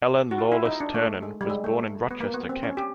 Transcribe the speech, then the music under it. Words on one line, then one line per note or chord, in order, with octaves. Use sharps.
Ellen Lawless Ternan was born in Rochester, Kent.
F#4
F4
E4
D#4
D4
A3
G#3
G3
G#3
A3
B3
A#3
B3
C4
C#4
G4